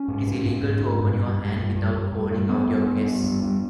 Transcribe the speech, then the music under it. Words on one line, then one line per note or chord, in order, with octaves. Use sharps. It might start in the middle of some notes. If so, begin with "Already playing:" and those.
It is illegal to open your hand without calling out your guess.
Already playing: C#4
G#2
G#2
G#2
G#2
G#2
G2
G2
G2
G2
G2
G2
G2
G2
G2 B3
G2
G2
G2
G2
G2